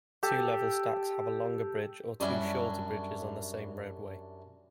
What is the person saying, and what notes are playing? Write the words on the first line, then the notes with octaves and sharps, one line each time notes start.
Two-level stacks have a longer bridge or two shorter bridges on the same roadway.
G4 A4
F#2 G3 C#4 D4 E4